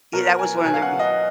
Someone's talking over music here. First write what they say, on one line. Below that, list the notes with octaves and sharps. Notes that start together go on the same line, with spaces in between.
yeah, that was one of the r
B2 F#3 B3 A#4
G#5
B2 F#3 B3 G#5
F5
F#5
D#5